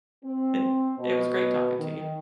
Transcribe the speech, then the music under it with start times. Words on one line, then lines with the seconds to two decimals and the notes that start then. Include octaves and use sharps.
And it was great talking to you.
0.25 C4
0.99 B2
1.80 D#3